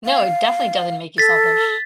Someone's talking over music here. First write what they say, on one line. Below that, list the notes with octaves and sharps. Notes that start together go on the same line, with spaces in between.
No, it definitely doesn't make you selfish.
F5
A4 A6 B6